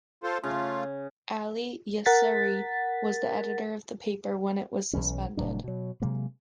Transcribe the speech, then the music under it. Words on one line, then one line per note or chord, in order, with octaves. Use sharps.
Ali Yasseri was the editor of the paper when it was suspended.
F4 A4 C5
C#3 A3 F4
A#4 F#5 A6 B6
B1 F2 E3 C#4
F1 A2 F#3 D4
B2 F#3
C3 F#3 G#3 A#3